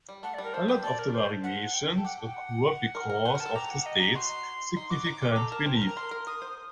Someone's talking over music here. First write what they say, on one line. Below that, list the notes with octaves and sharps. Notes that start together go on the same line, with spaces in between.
A lot of variations occur because of the state's significant relief.
G3
A3 F#5
D5
G3
A#4
A3 C5
G4
A4 D5
A#4
C5
F#5
G5
A4
G4 F#5
G5
F#5
A#4
A#4
C5 F#5
A#4
A5
A4
G4 A#5
F#5
D#5
A#5
F#4 C6
D#4 C6
F#4 D6
D#4
G4
A4 A#5
A#4 A5
C5 G5
A#5
A#4
A#5
A#4 C6
A#4
A#4 D#6
C5